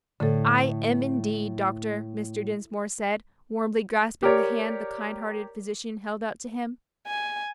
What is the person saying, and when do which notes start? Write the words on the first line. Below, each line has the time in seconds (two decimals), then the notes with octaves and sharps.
"I am, indeed, doctor," Mr. Dinsmore said, warmly grasping the hand the kind-hearted physician held out to him.
0.20 A2 D3 A4
4.23 G4 A#4 C#5 D5
7.07 G#5